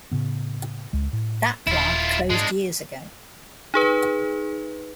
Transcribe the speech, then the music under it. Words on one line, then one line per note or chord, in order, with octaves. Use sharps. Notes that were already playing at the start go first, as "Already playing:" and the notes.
That plant closed years ago.
A2 C#3 B3
C#2 G#3
A2
D#1 E4 F4
G#2 G#3 D4
D#4 G#4 B4